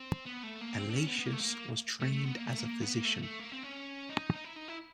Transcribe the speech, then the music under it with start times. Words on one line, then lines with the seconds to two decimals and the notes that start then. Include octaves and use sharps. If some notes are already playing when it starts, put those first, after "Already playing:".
Allatius was trained as a physician.
Already playing: C4
0.26 B3
0.43 A3
0.61 A#3
0.78 C4
0.89 D4
0.95 C#4
1.07 B3
1.19 B3
1.26 A#3
1.33 A3
1.41 A#3
2.00 A3
2.12 A3
2.24 B3
2.35 A#3
2.47 A3
2.58 A#3
2.81 B3
2.94 A#3
3.05 A3
3.23 A3
3.40 A#3
3.52 C4
3.63 C#4
4.10 D#4
4.36 D#4
4.45 E4
4.57 D#4
4.68 E4